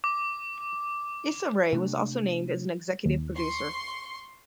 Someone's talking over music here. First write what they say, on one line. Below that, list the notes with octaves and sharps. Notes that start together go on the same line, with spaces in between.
Issa Rae was also named as an executive producer.
D6
C3 A3 D4
D#2
C6 C#6